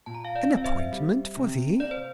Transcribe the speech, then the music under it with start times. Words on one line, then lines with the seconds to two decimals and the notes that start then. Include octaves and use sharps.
"An appointment? for thee!"
0.06 A#2 A5
0.15 A#5
0.24 F5 A5
0.35 D5 F5
0.50 C4
0.57 F5
0.64 C5 E5
0.92 G3
1.37 C3
1.80 A#3 D5
1.91 C5